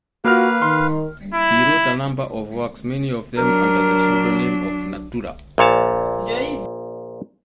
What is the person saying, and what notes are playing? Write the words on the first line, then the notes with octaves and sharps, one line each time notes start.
He wrote a number of works, many of them under the pseudonym of “Natura”.
A#3 F4 F#4 A#4 B4 F5 F6
D#3 C6
E4
F#3 D4 A#4
A#1 A#2 C#5 A5